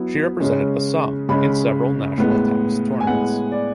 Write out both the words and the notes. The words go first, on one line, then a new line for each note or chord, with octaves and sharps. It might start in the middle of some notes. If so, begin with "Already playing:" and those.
She represented Assam in several National tennis tournaments.
Already playing: F#3 B3 E4
C#3 G#3 C#4
C#3 G#3 C#4 B5
A2 G#3 B3
G#5
A2 G#3 B3 F#5
D5